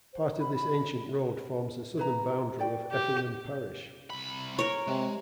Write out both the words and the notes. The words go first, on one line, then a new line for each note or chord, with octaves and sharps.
Part of this ancient road forms the southern boundary of Effingham parish.
C5
B5
B5
E4 B4 A#5
F#4 D5 G5
G4
C2 B5
A#4 C#5
C3 G#3